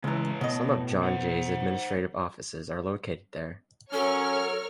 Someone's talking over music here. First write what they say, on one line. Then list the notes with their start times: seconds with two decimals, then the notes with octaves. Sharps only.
Some of John Jay's administrative offices are located there.
0.04 C#2 A2 E3 A#5
0.41 B2 D#5
1.03 C5 F#5
3.93 F#3 C#4 A4 A#4 C#5 F6